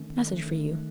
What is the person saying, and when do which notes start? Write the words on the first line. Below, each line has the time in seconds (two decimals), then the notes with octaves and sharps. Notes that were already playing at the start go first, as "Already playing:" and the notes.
Message for you.
Already playing: D#3 A3 C#4
0.19 A3 C#4
0.46 D#3
0.73 A3 C#4